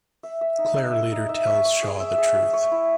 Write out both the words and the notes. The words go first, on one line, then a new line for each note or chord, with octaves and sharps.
Clare later tells Shaw the truth.
E5
E5
D#4
E5
E5
D#4
E5
C#5
C#5
G#4
E5
G#4
E5
C#5
E4